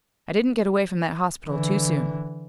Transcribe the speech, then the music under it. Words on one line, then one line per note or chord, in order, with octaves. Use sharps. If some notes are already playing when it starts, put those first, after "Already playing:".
I didn't get away from that hospital too soon.
D3 E3